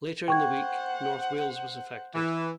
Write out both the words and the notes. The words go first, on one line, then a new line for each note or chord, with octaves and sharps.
Later in the week, north Wales was affected.
C5 F#5 G5 C#6 G#6
E3